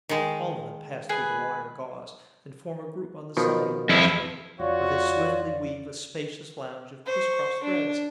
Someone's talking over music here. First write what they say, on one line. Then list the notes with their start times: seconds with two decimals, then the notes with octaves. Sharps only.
All of them pass through the wire gauze and form a group on the summit of the brushwood, where they swiftly weave a spacious lounge of criss-cross threads.
0.09 D#3 G#3
1.09 G#4 B4 G#5
3.37 B2 D#3 F3
3.89 F2 E4
4.60 F2 F4 F#4 C#5 D5
7.06 C5 C#6
7.64 D4